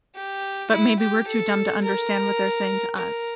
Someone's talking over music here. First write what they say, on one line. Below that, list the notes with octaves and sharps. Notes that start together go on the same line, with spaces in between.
but maybe we're too dumb to understand what they're saying to us.
G4
E4
G4
A4
A#4
A#4